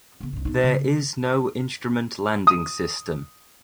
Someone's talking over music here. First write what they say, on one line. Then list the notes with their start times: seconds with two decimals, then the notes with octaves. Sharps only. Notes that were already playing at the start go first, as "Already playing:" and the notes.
There is no Instrument Landing System.
0.21 C#3 B3
0.33 C2 G2
0.45 B3 D#4
0.63 C#3
2.47 D#6